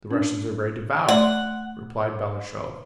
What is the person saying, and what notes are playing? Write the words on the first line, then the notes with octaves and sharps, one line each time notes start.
"The Russians are very devout," replied Balashev.
C#4 D4
A3 D5 F#5 C6